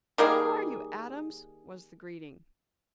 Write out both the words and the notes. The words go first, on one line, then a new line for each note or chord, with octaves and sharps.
"How are you, Adams!" was the greeting.
D#3 G3 A#3 G#4